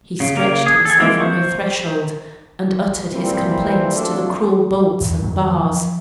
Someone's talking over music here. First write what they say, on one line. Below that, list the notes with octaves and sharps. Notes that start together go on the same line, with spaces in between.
He stretched himself on her threshold, and uttered his complaints to the cruel bolts and bars.
C#3
C#3 A#3 A#4
G#4
A4 G#5
F3 G#3 A#3 C4 E4
C5 C#6
E3 G3 A#3 C4
F#3 A3 C4 D4 F4 A4
E2
F2 D#3 F#3 A#3
F3